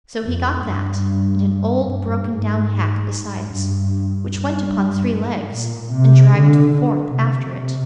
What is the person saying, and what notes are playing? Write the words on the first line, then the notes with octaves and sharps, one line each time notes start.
So he got that, and an old broken-down hack besides, which went upon three legs, and dragged the fourth after it.
F2
G2
G2
G#2
G2
G2
G#2
A#2
C3
D3
D3
C3